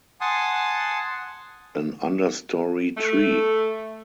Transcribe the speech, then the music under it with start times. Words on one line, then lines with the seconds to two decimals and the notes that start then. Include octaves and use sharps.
An understorey tree.
0.21 F#5 G#5 A5 C6 D#6
2.97 A3